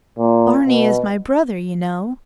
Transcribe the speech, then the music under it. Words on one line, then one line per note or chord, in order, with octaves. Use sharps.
"Barney is my brother, you know."
A#2
B2